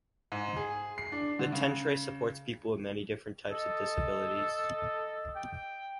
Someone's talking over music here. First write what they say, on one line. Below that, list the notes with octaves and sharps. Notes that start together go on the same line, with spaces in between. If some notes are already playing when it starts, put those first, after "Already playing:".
The tentre supports people with many different types of disabilities.
G#2
G#4
C7
D4
D3
C#3
A4 D#5
G5